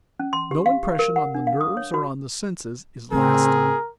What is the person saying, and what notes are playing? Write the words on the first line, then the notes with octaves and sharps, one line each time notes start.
No impression on the nerves or on the senses is lasting.
C#4
C6
G4
F5
G4
A#4
F#5
D4
F5
D#6
C#5
F#4
A2 C#3 C4 G#4 A#4